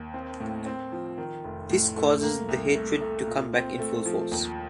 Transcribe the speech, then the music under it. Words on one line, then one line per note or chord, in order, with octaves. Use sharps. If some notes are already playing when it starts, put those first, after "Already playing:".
This causes the hatred to come back in full force.
Already playing: D#2
C4
A2
C4
F3
D#3
F1
A2
A3
A#3
C2
A3
A3
A#2
C4
A3
F3
D#2